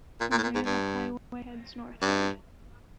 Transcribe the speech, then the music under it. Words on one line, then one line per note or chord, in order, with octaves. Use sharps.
From there the highway heads northward.
A#2
A#2
A2
A#2
G#2
G2
G2